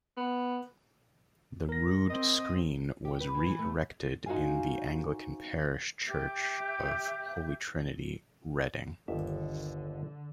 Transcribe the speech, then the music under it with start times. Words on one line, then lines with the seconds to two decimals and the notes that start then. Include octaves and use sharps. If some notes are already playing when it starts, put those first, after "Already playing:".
The rood screen was re-erected in the Anglican parish church of Holy Trinity, Reading.
0.17 B3
1.69 A#4 A#6
2.10 C4 D#5
3.05 G4
3.20 B4
3.34 E3
3.46 E3
3.59 A3
4.26 D#4 F#4 C5 F5 G#5
6.07 G4 E5 D6 G6
9.08 G1 D#2 D3 E5